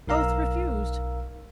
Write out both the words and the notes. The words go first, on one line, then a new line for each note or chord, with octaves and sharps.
Both refused.
B1 D#4 A#4 F5 A#5 E6